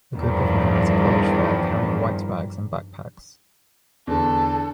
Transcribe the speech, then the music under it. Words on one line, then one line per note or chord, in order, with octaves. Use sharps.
A group of men are at a college fair carrying white bags and backpacks.
E2 G2 D#3 F3
E2 D3 A4